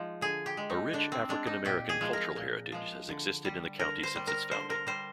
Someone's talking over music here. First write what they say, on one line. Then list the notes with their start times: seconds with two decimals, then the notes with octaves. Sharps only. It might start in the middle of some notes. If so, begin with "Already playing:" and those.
A rich African American cultural heritage has existed in the county since its founding.
Already playing: F3 G#3 D#4 F4
0.21 D3 G#4
0.46 G4
0.57 G#3
0.70 D#4
0.93 D3 D4
1.12 C4
1.29 G#3 D4
1.47 D#4
1.65 A#2 G4
1.89 G#4
2.01 F3 G#3
2.13 A#4
2.36 A#2
2.72 F3 G#3
3.09 D3
3.45 G3
3.79 D3 A#4
4.03 C5
4.15 G3
4.27 A#4
4.51 D3 C5
4.70 A#4
4.87 G3 C5